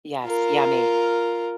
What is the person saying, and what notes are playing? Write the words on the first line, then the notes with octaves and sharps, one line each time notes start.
Yes, yummy.
F4 A#4